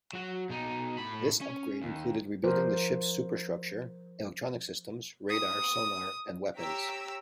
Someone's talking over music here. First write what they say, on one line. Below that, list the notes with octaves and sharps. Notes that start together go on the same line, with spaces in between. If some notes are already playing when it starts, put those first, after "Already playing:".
This upgrade included rebuilding the ship's superstructure, electronic systems, radar, sonar, and weapons.
F#3 F#4
B2 D#4
A2 B5
C#4
D#2
F3 A#4 C5
D#6
G4 C#5 A#5 E6 B6 D7